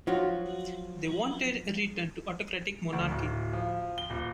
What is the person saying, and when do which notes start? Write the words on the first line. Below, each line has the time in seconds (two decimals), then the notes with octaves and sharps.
They wanted a return to autocratic monarchy.
0.07 F3 F#3 F4 F#4
2.93 D2
3.11 D1
3.53 F3
3.98 G7
4.10 D#1